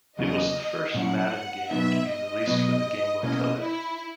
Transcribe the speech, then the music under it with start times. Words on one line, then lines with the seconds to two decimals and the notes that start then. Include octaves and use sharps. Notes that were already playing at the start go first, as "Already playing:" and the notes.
It was the first "Madden" game to be released for the Game Boy Color.
0.18 E2 C#3 F#3 A#3 D#5
0.94 A#2 F#3 C#4 E4 F#5
1.71 B2 F#3 B3 D#4 E5
2.09 D#5
2.47 B2 F#3 B3
3.23 B2 A#3 C#4 E4 D#5
3.62 E4